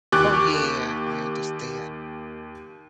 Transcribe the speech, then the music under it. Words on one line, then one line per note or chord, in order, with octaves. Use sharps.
Oh, yeah. I understand.
D#2 G4 C#6 D6 F#6